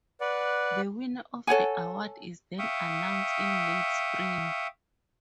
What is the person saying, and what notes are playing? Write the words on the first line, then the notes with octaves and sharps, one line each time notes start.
The winner of the award is then announced in late spring.
B4 D5 F#5
A4 C#5 F#5 G#5
E5 F5 G5 C#6 D#6